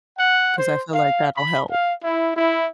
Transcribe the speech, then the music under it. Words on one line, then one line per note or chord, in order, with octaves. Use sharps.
'Cause I feel like that'll help.
F#5
C5
F5
B5
F5
E4
E4